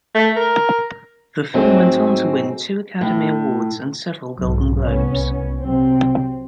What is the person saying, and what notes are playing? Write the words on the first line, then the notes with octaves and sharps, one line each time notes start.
The film went on to win two Academy Awards and several Golden Globes.
A3
A#4
G#2 F#3 A3 C4 G#4
A2
B1 G#2 F#3
C2 B3 C#4
C3 F#3 C4